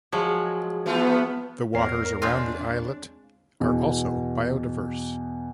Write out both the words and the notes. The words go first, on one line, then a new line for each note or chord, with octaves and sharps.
The waters around the islet are also biodiverse.
F3 F#3 G#3
E3 A3 B3 F4
E2 A#4 C#5 C7
G#3 C4 D4 F4
E2 B2